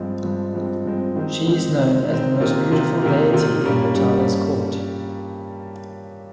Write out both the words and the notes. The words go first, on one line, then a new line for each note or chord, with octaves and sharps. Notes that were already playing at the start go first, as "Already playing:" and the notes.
She is known as the most beautiful deity in Bathala's court.
Already playing: G2 F3 G#3 C4
G2 F3 G#3 C4
G2 F3 G#3 C4
G2 F3 G#3 C4
D#3 G#3 C4
D#3 G#3 C4
D#3 G#3 C4
D#3 G#3 C4
C3 D#3 A#3 F4
C3 D#3 A#3 F4
C3 D#3 A#3 F4
C3 D#3 A#3 F4
G2 G3 A#3 C#4
G2 G3 A#3 C#4